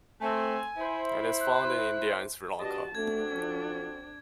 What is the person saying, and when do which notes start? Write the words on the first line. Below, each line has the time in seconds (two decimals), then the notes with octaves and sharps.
It is found in India and Sri Lanka.
0.21 A3 C4 G#5
0.76 E4 C5
1.41 F#6
2.60 D4 F#4 G4 B4 D#5 A5
2.95 A3 C4 D4 F#4 A4 G#6
3.34 F3